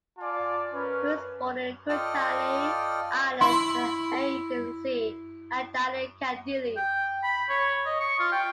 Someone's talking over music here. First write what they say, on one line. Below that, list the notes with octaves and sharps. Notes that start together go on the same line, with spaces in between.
He was born in Kutali Island in the Aegean Sea and died in Kandilli.
F4 D5 G#5 A5
C#4 A#4 B4
F4 A4 D5 D#5 G5 F6
E4 C6
G5
B5
C#5
D#5
C#6
F4
G5